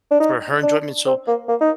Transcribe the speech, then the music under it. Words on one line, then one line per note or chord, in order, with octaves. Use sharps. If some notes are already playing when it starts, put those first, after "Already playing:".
for her enjoyment, so,
D4
D#4
D4
C4
A#3
A#3
D#4